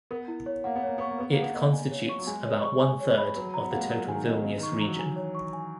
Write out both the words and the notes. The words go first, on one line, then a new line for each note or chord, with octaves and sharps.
It constitutes about one third of the total Vilnius Region.
B3 A#4
E4
C#5
A#3 F#5
B3
A#3 C#5
B3 C#6
A#3
B3 B4
A#3
F#5
B3
A#3 D#5
G#5
C#5
C#6
F#3
G#3 G#5
C#5
C#6
G#5
C#5
B5
F#3 B4
A#5
B3
A#3 F#5
G#3
F#3 A#4
D#3 G#5
B2 D#5
C#3 D#5
D#3
C#6
E3
F#3 A#5
G#5
C#5
C#6
G#5